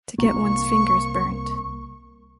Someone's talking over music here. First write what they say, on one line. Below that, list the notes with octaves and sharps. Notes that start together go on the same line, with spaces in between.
To get one’s fingers burnt.
C2 A#3 C#6